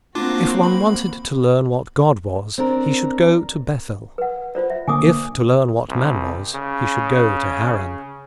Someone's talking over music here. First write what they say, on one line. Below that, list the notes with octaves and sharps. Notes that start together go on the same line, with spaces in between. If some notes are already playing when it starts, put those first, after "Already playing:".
If one wanted to learn what God was, he should go to Bethel; if to learn what man was, he should go to Haran.
A#3 C4 D4 F4 F#4 D6
B5
C4 D4 A#4
B4 F#5
F4 C5 D5
E5
D3 A#3 G#5 D6 D#6
C2
C#3